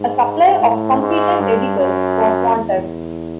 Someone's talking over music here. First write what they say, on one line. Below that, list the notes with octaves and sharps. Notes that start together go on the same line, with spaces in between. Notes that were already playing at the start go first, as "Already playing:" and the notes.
A supply of competent editors was wanted.
Already playing: G#2
A2
G#2
G2
F#2
E2